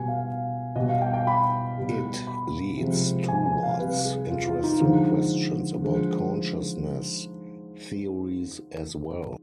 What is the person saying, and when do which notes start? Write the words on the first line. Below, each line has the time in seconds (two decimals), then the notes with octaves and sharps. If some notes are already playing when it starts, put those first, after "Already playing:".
It leads towards interesting questions about consciousness theories as well.
Already playing: B2 G3 G#5
0.08 F5
0.76 B2 G3 D#5
0.89 F5
1.02 G5
1.13 G5
1.27 B5
1.78 B2 G3
2.27 B5
2.78 C3 F3 G#3
3.28 G#5
3.46 G#5
3.63 F5
3.79 C3 G3 B4
4.05 G#4
4.30 F4
4.47 F4
4.64 D#4
4.80 D3 F3 G#3 D#4
5.82 D3 F3 G#3